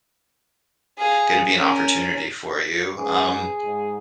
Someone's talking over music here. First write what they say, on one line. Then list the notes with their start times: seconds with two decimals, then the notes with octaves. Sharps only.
gonna be an opportunity for you. Um,
0.98 G#4 F5
1.57 C#4 A#4
2.98 G#2 C#4 G#4 B4
3.63 G#2